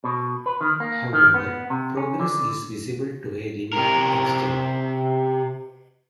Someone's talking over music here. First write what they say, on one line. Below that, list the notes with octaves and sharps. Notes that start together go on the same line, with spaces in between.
However, progress is visible to a limited extend.
B2
B4
D#3
A#3
D#3
B3
C3
C#4
D3
C3 A#4